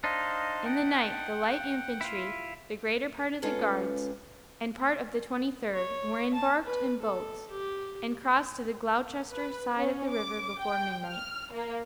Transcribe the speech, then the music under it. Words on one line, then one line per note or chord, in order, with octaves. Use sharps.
In the night the light infantry, the greater part of the guards, and part of the Twenty-third were embarked in boats and crossed to the Gloucester side of the river before midnight.
D4 D#4 C5 D#5 F5
F#5 G5
E4 F4
G#3 C#4 F4 A4 B4
C#5
A5
B4
A4
G4
B4
C#4
D6
G5
F6
A#3